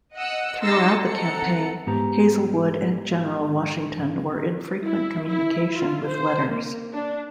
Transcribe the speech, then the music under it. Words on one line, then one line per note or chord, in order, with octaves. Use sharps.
Throughout the campaign Hazelwood and General Washington were in frequent communication with letters.
D#5 F#5 E6 C#7
D#4 C6 E6 A6 A#6 C#7
C4 A4 F#5 A#5 C#7
G#2 B3 G4 A#5
E4
E4
F4
C5
A#3
D4